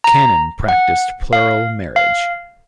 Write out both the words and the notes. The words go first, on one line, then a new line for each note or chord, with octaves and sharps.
Cannon practiced plural marriage.
A#5
F#5
F5
F5